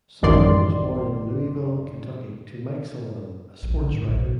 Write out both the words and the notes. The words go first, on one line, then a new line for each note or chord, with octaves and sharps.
Sullivan was born in Louisville, Kentucky to Mike Sullivan, a sportswriter.
A1 F#2 D#3 D5 C6
A#1
D3
A2
A#1
B2